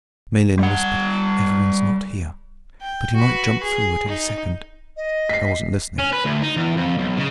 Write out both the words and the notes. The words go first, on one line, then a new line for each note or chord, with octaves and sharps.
Miellyn whispered, "Evarin's not here, but he might jump through at any second." I wasn't listening.
G3 F#5
G5
F#4 B4
G#4
D#4
D#5
B6 C7
C#4
B4
D2
D#4
E2
F2
B1
C#3